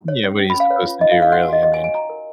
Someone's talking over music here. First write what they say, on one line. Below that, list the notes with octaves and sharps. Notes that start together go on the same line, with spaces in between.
Yeah, what are you supposed to do, really, I mean.
C#5
C#4
C#4
B5
C#4
F5
B4 C#5
F4
D#4 D#5
F5
D#4
F5
F#4 F#5
G#5
F#4 D#5
F#4 D#5
G#5
C#5
G#5
F#4 A#5
A#4